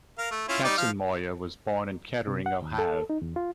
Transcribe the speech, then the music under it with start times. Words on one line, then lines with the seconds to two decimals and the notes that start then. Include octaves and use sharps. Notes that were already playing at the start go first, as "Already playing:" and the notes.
Katzenmoyer was born in Kettering, Ohio.
0.18 A#4 F5
0.31 A3
0.49 C#4 E4 F4
0.64 G3 D#4 D5
0.77 F3 F5
2.27 C3
2.46 F#5
2.62 D#2
2.78 A4
3.10 D#4
3.22 E2
3.36 F4